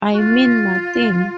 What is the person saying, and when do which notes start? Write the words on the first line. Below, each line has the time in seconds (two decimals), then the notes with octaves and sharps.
I mean nothing.
0.12 F#4
0.18 F4